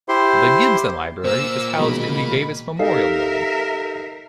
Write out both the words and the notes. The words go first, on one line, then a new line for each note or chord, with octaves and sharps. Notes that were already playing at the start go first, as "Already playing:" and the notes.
The Gibson Library is housed in the Davis Memorial Building.
E4 G4 C5 C6
A#2 A#3 C5 E6
B2 D#3 G#3 B5
D#4 G4 A4 A#4 E5 F5 C7